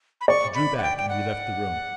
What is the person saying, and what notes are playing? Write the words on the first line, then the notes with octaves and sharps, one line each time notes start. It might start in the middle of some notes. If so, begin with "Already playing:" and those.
He drew back; and we left the room.
B5
D5 C#6
B5
F#5
G5
G5
F#5